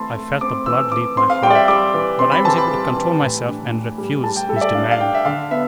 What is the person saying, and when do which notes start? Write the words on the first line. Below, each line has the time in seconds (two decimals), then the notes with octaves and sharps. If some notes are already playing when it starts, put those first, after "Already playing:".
I felt the blood leave my heart, but I was able to control myself and refuse his demand.
Already playing: E3 A3 C4 A5 B5 C6
0.15 A3
0.41 C4 D6
0.66 E3 E6
0.92 E3 D6
1.17 C4 C6
1.30 F5
1.42 G3 G5
1.50 D5
1.55 E5
1.68 G3 D6
1.94 E3
2.19 C4 C6
2.32 B5
2.45 E3 A5
2.58 B5
2.70 G3
2.95 E3
3.22 A2
3.47 D4
3.73 A2
3.98 G3
4.23 G3 A5
4.36 G5
4.49 G3 A4
4.56 E5
4.61 D5
4.74 D4 F5
4.91 F5
5.00 D4 G5
5.15 E5
5.25 D3 F5
5.51 B3 E5